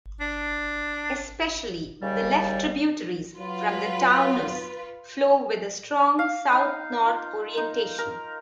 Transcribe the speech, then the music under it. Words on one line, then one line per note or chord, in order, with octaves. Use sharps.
Especially the left tributaries from the Taunus flow with a strong south-north orientation.
D4
D#2 C#3 G3
F#3 F4 B4
F5
D#4
F4
D#4
A#4